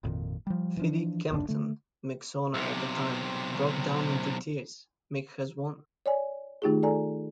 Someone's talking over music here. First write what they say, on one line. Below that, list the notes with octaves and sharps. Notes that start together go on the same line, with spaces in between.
Phiddy Kempton, Mick's owner at the time, broke down into tears, Mick has won!
G#1 F2 A#2 D#3
F3 G3
E3 F3 D4
D#1 A#1 F#2 D4
D3 A3
B1 C3
C#5 D5 G#5
D#3 A3 D#4 F4 G4 G#4
A4 D5 G#5 A#5